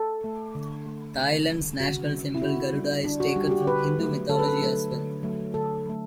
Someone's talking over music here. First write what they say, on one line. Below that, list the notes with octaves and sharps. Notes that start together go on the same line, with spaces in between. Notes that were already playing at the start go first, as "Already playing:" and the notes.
Thailand's national symbol Garuda is taken from Hindu mythology as well.
Already playing: A4
A3
D3
A3
C#3
G3
C#3 F#4
G3
E4
D3 F#4
G3
D3 D4
F#4
G3 G4
F#4
G4
D3 B4
F#3 A3
D3 A4
B4
A4
F#3 A3
D3
F#3 A3
D3 A4
F#3 A3